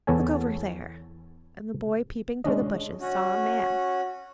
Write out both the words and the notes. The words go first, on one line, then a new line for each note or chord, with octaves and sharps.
Look over there!' And the boy, peeping through the bushes, saw a man.
E2 B3 A4 C#5 G#5
G#3 C#4 D4 D#5
C#4 F#4